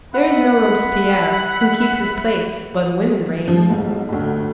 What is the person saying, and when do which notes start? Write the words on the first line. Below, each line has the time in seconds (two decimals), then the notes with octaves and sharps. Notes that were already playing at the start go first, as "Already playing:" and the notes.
There is no Robespierre who keeps his place but woman reigns.
0.13 E5 F#5 B5
3.48 F3
3.70 B1 G#2
4.09 D2 A2